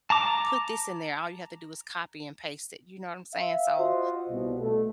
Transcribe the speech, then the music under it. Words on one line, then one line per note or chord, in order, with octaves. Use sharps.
put this in there." All you have to do is copy and paste it. You know what I'm saying? So,
A5 A#5 D6
E5 F5
F4 F#4 C5 D#5
C2 B2
A3